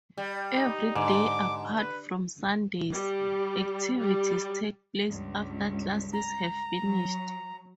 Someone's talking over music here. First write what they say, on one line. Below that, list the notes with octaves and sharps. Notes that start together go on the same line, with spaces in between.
Every day, apart from Sundays, activities take place after classes have finished.
G3
D#4
G#2 D3 D6
B4
G3
G3
C#2 G2
A#5
F#3